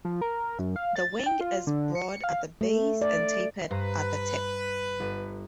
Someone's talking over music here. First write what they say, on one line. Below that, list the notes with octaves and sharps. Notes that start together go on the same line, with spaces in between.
The wing is broad at the base and tapered at the tip.
F3
A#4
F#2
F5
A6
G5
F4
D3
C#7
F5
A3
D5
G2 B4 C5 A#5
G1 D#7